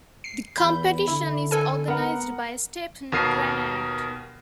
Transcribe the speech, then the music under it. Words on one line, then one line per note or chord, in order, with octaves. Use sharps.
The competition is organized by "Stephen Granade".
C7
E2 B5 G6
D3 E4
A4 G#5
B3 A#4 F#5
D#2 B2 A#4 C7 D#7